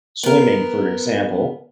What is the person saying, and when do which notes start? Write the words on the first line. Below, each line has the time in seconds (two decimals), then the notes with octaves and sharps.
swimming, for example.
0.23 B3 A#4